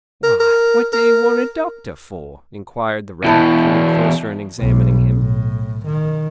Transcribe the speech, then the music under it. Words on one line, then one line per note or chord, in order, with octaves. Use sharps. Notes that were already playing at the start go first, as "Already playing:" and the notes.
'Why, what do you want a doctor for?' inquired the Rat, coming closer and examining him.
A#4
A#4
A#4
E2 B2 E4 A5 B5
B1
A2
D#3